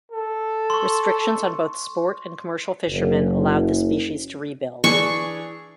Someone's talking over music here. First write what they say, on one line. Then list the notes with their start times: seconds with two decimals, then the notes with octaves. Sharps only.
Restrictions on both sport and commercial fishermen allowed the species to rebuild.
0.11 A4
0.70 C6 C#6
2.89 F#1
4.84 E3 D4 G#4 C#6